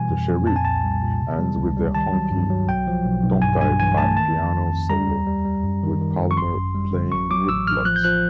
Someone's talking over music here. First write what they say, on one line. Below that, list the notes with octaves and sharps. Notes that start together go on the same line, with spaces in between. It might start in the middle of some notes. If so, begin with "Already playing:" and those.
"The Sheriff" ends with a honky tonk-type piano solo with Palmer playing woodblocks.
Already playing: B2 E3 G3 G#5
F2
F2
A#2 A5
G#5
C2 A5
G3
A#2
C3
G3
C#2
G3
D#3 A5
F#3
G2
F#3
B1 G5
F3
B1
B1
G2 G#5
G2 G#5
E3 G#5
A3 A5
D#3 A5
F2
F2
F2
G3 A#5
D#2
G3
G3
F#2
D#3
D#3
F#2
C#6
G#1 C6
F#2
G3
D3
A1 C#6
F#3 D6
A1 E6
A1 F6
F3 F#6
G6
F3 F#6